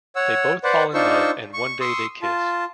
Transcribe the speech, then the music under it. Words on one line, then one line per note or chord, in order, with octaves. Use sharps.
They both fall in love and one day they kiss.
C#5 F#5 E6
B4 C5 D5 F#5
D4 D#4 F4 C5 C#6 E6
C#6
C6 C#6 D#6 E6
F4 A5